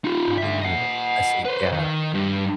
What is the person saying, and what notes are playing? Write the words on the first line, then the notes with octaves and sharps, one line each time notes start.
Oh, I see, yeah.
D#4 F4
D3 E5
D#5 F#5
B4 C5
D#3
G2